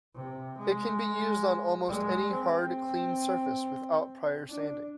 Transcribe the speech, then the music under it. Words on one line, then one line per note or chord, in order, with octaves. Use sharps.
It can be used on almost any hard, clean surface without prior sanding.
C3
G#3
G#3
C4
D4